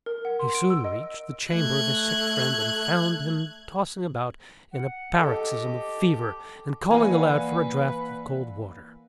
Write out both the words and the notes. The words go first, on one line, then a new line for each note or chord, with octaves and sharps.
He soon reached the chamber of his sick friend, and found him tossing about in a paroxysm of fever, and calling aloud for a draught of cold water.
A#4
F#5
C6
D7
E6
D#5
A3 F#6 G#6
F#5
G4 A4 D#5 D6
E3 A#3 B4 D5 F5 F#5 G#5